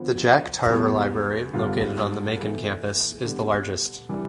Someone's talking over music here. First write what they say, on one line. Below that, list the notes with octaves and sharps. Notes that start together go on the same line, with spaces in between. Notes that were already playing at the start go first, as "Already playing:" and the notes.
The Jack Tarver Library, located on the Macon campus, is the largest.
Already playing: D3 F3 B3 F4 C5
E2 B2 G3 B3
G2 D3 G3 B3 F4
E3 B3 E4 A4
D3 G3 B3 D4 G4
C3 E3 G3 D4